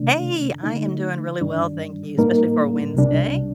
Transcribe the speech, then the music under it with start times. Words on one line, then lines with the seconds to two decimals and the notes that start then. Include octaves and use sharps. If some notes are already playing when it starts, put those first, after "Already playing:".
Hey, I am doing really well, thank you, especially for a Wednesday.
Already playing: C3 D#3 A3 D4
0.63 D3 A3 D#4
1.41 G2 D#3 G3 D4
2.17 A2 G3 A#3 D#4 A#4
2.94 C2 C3 G3 D4